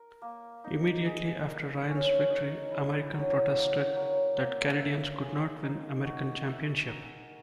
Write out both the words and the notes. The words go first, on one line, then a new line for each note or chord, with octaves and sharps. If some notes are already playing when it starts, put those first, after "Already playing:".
Immediately after Ryan's victory, Americans protested that Canadians could not win an American championship.
Already playing: A#4
A#3
D#4
G#4
A#4
C#4
D#5
E4
F#3
A#3
F#3
A#3
E5
G#4
D#4
F#4
E5
A#4